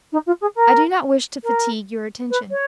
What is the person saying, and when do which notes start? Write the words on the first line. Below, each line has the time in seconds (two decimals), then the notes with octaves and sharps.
I do not wish to fatigue your attention.
0.12 D#4
0.26 F4
0.41 G#4
0.55 A#4
1.43 A#4
2.30 B4
2.51 C#5